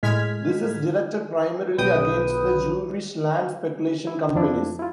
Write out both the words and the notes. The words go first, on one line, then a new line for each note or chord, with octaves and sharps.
This is directed primarily against the Jewish land-speculation companies.
A2 G#3 F6 G#6 B6
B1 B4 G5 D#6
E4
F2 F3 D4 E4
E4 F4